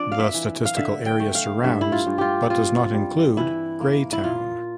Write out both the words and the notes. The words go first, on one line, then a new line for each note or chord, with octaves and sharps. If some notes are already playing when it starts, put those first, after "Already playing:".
The statistical area surrounds but does not include Greytown.
Already playing: F3 C4 D4 D5
F5
E5
E3
F5
D3 E5
G5
A3
F5
G2 E5
E4
F4
G2
F4 G4
C4 F4
G3
E3 E4
A#3
E4
A#2 F4